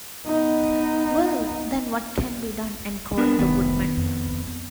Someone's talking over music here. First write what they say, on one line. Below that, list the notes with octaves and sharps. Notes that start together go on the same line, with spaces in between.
Well, then, what can be done? enquired the Woodman.
B3 D#4
B3 D4 A#4
F1 D2 D#3 B3
F2